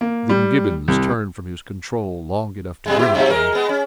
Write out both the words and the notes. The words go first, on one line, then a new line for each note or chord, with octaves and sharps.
Then Gibbons turned from his control long enough to grin at me.
A#3
G3
C2
B2 G3 G#3
B3 E4 G4
G2 C3 F#3
G#3 A#4
G#3 B3
C#4